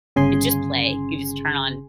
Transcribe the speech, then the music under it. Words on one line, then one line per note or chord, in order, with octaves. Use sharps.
it's just play. You just turn on
G1 C#3 G#4 G#5 C6